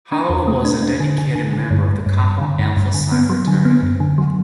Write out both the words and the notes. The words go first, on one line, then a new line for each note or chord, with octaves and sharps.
Hollowell was a dedicated member of Kappa Alpha Psi fraternity.
D4
E2
A3
D4
D4
D3
D3
D3
D3
G2
G2
G2
G2
D3
G2
G2
D3
B3
F#3
D3
B3
F#2
D3
F#3